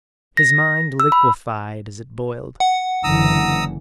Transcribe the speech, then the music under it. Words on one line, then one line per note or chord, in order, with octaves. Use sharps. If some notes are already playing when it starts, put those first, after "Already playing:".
His mind liquefied as it boiled.
A#6
E6
B5
F#5
F#1 D3 E3 A#5 D#6 E6